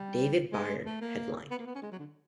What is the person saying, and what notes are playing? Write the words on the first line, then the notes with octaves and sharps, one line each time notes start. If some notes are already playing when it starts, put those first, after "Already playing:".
David Byrne headlined.
Already playing: G3
G#3
A3
A#3
B3
A#3
B3
C#4
G#3
F#3
D3